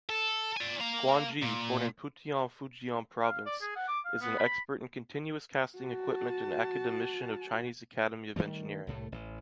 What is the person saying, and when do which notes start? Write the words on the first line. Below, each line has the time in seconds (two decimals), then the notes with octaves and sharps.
Guan Jie, born in Putian, Fujian Province, is an expert in continuous casting equipment and academician of Chinese Academy of Engineering.
0.09 A4
0.57 D5 G#5
0.80 A#3 F5
1.43 A#2
3.22 F5
3.46 D5
3.61 G#4
3.76 F#5
3.88 D6
4.05 F5
4.21 B3
4.38 B5
5.78 F#4 A5
8.36 D#3 E3 G3 A3
8.87 C2 A2 A3
9.12 A1